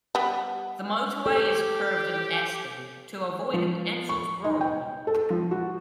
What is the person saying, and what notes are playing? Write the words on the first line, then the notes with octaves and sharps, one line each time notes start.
The motorway is curved in Aston to avoid an Ansells brewery.
G3 B3
G4 A4
F3
C#6
D#4
G5
A4
F3
F#4